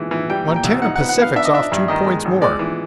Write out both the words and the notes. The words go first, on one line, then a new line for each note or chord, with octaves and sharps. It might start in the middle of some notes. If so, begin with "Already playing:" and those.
Montana Pacific's off two points more.
Already playing: E3 G#3
E3
G3 G5
A#2
G5
C2
D#4 F#5
F#5
B3
F#5
B3 F5
D4 E5
D#5
D4 E5
G2
D#3 D#5
G#3
G#1
G#3 D5
E3